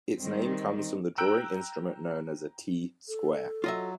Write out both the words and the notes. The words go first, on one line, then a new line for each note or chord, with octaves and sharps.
Its name comes from the drawing instrument known as a T-square.
D#3 G3 C4
G5 A#5 E6 F#6 G6 D7
A4
F#3 F4 D#5 E5